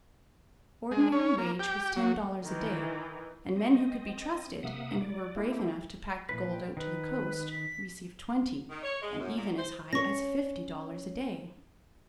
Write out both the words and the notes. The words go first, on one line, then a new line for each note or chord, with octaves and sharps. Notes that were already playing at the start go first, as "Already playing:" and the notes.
The ordinary wage was ten dollars a day, and men who could be trusted, and who were brave enough to pack the gold out to the coast, received twenty and even as high as fifty dollars a day.
G#3
C#4
A#3
G4
F#3
D#3 E3
C4 D#5
C3 A#3 E5 F#5 D#6
D5
A3 A#3 E4 G4
A#2 E3 B4
G5
D#3 B4
B6
D#3
C#5
G#3
F#2
A#2
C5
C#4 C#5 C#6 A#6